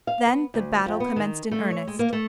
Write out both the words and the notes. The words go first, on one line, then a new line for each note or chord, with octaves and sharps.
Then the battle commenced in earnest.
F5
B3
D2
F2
B3
D#3
A3
C#5
G#3
A#3
A3